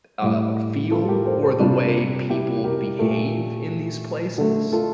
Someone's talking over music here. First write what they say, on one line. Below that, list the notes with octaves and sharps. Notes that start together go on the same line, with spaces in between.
uh, feel, or the way people behave in these places,
A2 G3
F4 A4
G4 A#4
A4 C5
A4 C5
C3 G3 D4 F4
E4 G4
G4 A#4
A#2 A3
D3 A3
F4 A4